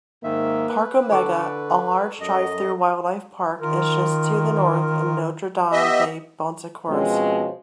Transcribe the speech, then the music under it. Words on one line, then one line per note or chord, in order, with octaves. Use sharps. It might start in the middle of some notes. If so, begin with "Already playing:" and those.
Parc Omega, a large drive-through wildlife park, is just to the north in Notre-Dame-de-Bonsecours.
G#2 D#3 A#3 E5
B4
D3 A4 C#6 D6
F#2 D#5
D#3 F4 A#4
B3 G4 D#5 E5
B2 F3 G#3 C4 C#4